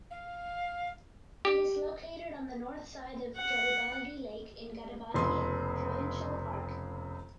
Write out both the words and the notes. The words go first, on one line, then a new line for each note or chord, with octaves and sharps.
It is located on the north side of Garibaldi Lake in Garibaldi Provincial Park.
F5
G4
F#5
F1 C#2 B3 G#4 C6